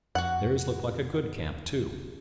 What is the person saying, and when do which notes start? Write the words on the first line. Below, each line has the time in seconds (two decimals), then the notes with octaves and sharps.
Theirs looked like a good camp, too.
0.15 F2 F#4 F#5